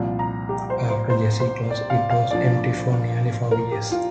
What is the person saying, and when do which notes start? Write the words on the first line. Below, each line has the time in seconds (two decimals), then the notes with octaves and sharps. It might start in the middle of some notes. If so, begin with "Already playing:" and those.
After Jazzy closed, it was empty for nearly five years.
Already playing: C2 A#2 F3
0.19 A#5
0.49 G4
0.70 C5
0.90 C5
1.10 C5
1.40 C5
1.70 D5
1.90 F5
2.10 F5
2.31 A#1 A#2 F3 D5
3.51 A#4
3.72 G4
3.92 F4